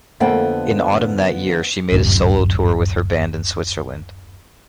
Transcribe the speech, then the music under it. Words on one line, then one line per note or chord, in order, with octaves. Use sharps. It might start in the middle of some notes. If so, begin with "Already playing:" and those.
In autumn that year, she made a solo tour with her band in Switzerland.
F2 D3 A#3 B3 G5
D1 G1 F#2 C3